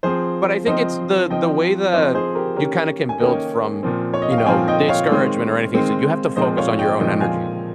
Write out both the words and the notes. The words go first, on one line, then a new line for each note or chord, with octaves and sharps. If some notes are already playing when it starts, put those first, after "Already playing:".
But I think it's the the way that you kinda can build from, you know, discouragement or anything. So you have to focus on your own energy
F3 C4 G#4 C5
F3 C4 C5 D#5
F3 C4 D#5 G5
F3 C4 C5 D#5
G#4 C5
G4 A#4
D#3 A#3 C#4 G4 A#4
G#5
D#3 A#3 C#4 D#5 G5
A#2 F3 C4
C#5
D#5
F5
G5
A#2 F3 C4 F5 G#5
D#5 G5
C#5 F5
D#3 G#3 C4
D#3 G#3 C4
A#2 F3 G#3 C4 C5 D#5
C#5 F5
D#5 G5
A#2 F3 G#3 C4 D#5 G5
F5 G#5